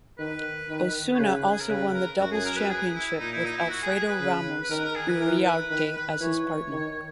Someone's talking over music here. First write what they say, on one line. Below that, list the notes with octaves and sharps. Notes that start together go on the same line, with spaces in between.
Osuna also won the Doubles Championship, with Alfredo Ramos Uriarte as his partner.
D#3 B4
D#3
C#5
C#3 B4
G#4
A#4
C#3 B4
A#4
F#2 F#4
G#4
A#4
B4
G#4
E4
A#2 D#4
E4
D#4
E4
F#4
G#4
G#4
B4
C#3
B4
D#3 A#4
A#4
G#4
B4
E3 A#4
B4
D#3 B4
B4
E3 C#5
D#3